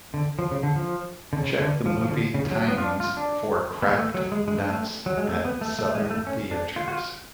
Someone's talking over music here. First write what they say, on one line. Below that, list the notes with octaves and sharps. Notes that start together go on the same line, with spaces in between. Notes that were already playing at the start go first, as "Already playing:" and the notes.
Check the movie timings for Cracked Nuts at Southern Theatres.
D3
F3
C#3
D3
F3
D3
C#3
D3
F3
F3
D3
C#3
F#3
B3
F4
D4
F4
D4
B3
A3
F#3
G#3
G#3
A3
F#3
G#3
A3
B3
A3
A3
G#3
A3
C#4
D4
F4
F#4
F4